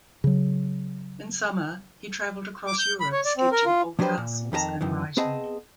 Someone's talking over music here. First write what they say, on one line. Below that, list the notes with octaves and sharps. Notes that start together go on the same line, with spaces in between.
In summer, he traveled across Europe sketching old castles and writing.
C#3 F#3
D6
G6
B5
C#5
D5
C4
A#4
F4
F3 F#3 D4 G4 B4 C5
A#2
F2 D#3 G4 A5 A#5
F#2 D#3 E3
B3 C4 G#4 D#5 A5